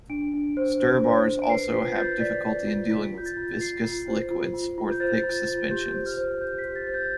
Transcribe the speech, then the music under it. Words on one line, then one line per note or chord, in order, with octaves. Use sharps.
Stir bars also have difficulty in dealing with viscous liquids or thick suspensions.
D4 D7
D4
C5
C5
C5
C5
D7
B4 C7
F4 B6
G6
F4 A6
D5 B6
D5
F4
F4 B6
F4 G6
A6
F4
F4 C7
F4
C5
F4
F4
F4
G6
C5 A6
F4
A6
F4
G4 G6
C5
F6
C5
G4 G6
B6
G4
A6
C5 A6
G6